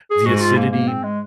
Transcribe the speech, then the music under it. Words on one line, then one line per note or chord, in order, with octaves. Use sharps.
the acidity
G#4
G#2 F#4
F#4
F4
A#3
A#3
C4
G#3